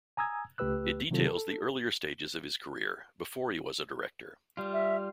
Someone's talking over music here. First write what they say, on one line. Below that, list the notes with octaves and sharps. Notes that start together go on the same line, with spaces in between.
It details the earlier stages of his career, before he was a director.
G#5 A#5 D#6 E6 G#6
C#2 A3 G4 B4 E6 F#6
C3 D#3 F#3 C4 F4 A4
A4
G3 F4
E5